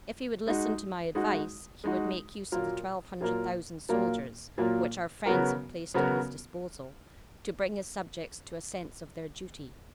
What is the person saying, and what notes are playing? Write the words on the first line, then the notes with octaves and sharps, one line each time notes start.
If he would listen to my advice, he would make use of the twelve hundred thousand soldiers which our friends have placed at his disposal, to bring his subjects to a sense of their duty.
G#3 D#4 F#4
G#3 D#4 F#4
G#3 D#4 F#4
A#2 F#3 A#3 F4 A#4
A#2 F#3 A#3 F4 A#4
A#2 F#3 A#3 F4 A#4
A#2 F#3 A#3 F4 A#4
C#3 F#3 B3 F#4 A#4
C#3 F#3 B3 F#4 A#4